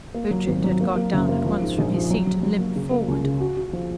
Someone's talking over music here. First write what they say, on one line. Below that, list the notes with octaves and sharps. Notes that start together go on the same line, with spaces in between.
Ughtred had got down at once from his seat and limped forward.
A#3
F#3
G#1
F#3
A#3
A#3
F#1
A#3
F3
G#2
A#1
F3
F#3
F#3
F#3
A#3
C#3
A#3
C#2
C#3
F#4
F#4
F3